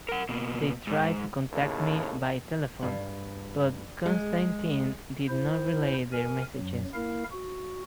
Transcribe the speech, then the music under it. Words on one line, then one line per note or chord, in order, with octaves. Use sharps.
They tried to contact me by telephone but Constantin did not relay their messages.
A#4 F#5
B2 A#3
G#2
D#2 A2 C#3
G2
G#3
E4 C5
A#4 G#5
F#2 F#3
A#3 E4 A#4 F5
F#4